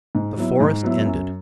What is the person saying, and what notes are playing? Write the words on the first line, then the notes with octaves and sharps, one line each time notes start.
The forest ended.
G#2
F#3 B3 E4
G#2
F#3 B3 E4
F#2